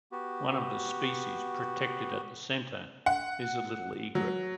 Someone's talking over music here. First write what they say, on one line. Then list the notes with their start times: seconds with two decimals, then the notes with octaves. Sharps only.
One of the species protected at the centre is the little egret.
0.12 B3 F#4 G4
3.06 F#5
4.15 F#3